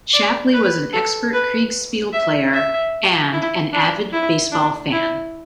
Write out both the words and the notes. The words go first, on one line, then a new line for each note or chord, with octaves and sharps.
Shapley was an expert Kriegspiel player, and an avid baseball fan.
D5
B4
A4
B4
E5
E5
E4
D4
E4
D4
E4